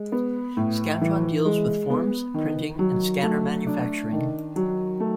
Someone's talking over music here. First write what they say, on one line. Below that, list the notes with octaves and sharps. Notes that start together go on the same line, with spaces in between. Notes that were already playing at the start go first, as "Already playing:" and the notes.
Scantron deals with forms printing and scanner manufacturing.
Already playing: G#3
B3
A2
E3
G#3
B3
D#3
F#3
A3
D4
D#3
F#3
A3